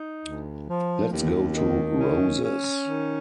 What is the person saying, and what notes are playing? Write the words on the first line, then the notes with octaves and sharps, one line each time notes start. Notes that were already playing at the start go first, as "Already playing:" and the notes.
Let’s go to Roses.
Already playing: D#4
D2
F3
D#2
D#3
C#4
C#4
D#3